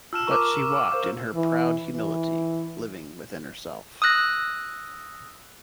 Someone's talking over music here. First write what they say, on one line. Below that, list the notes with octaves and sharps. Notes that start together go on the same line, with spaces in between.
But she walked in her proud humility, living within herself.
F4 A5 E6 F6 E7
A#4 A#5 C#6 D6
A#4 C5 F5
E3
E3
D#6 E6 F#6 A#6